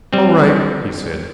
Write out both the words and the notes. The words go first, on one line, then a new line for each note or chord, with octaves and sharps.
"All right," he said.
G3 C4